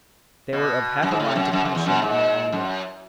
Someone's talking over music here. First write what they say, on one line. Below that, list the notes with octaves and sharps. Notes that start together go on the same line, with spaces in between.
They were of half a mind to punish him in their own way.
B2
F#2
G#2
A2
F#2
F#2
F#2
E2
F#2
G#2
F#2